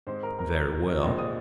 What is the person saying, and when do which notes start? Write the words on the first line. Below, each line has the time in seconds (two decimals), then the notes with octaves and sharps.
"Very well."
0.07 G#2 G#3 C4 C5
0.23 A#4
0.39 A#4
0.87 D#5
1.02 A#1 A#2 G#3 C4 D#5
1.18 D#6